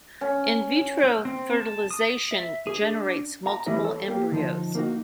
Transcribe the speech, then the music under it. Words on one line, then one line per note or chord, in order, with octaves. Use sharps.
In vitro fertilization generates multiple embryos.
C#4
C4
A5
D#6
E5
G#4
D4
A#5
E3 G3 A3 E4 B4 D#5
A4 C#5
A#3 G4
D3 F3 D#4
A#3 D#4 F#4